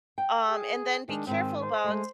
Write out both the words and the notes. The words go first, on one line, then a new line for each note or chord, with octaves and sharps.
um, and then be careful about
G5
G#4
D#3 G#3 D4
G#2 D#3 C4
C5
G#3 A3